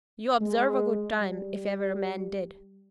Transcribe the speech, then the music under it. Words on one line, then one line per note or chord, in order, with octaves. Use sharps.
You observe a good time if ever a man did.'
G#3
G3